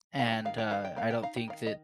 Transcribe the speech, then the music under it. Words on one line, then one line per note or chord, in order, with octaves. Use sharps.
And, uh, I don't think that
D#4 F5
G5
D#3 F5
G5
D#3 F5
G5
A#3 F5
G5
D#4 F5
G5
D#3 F5
D#5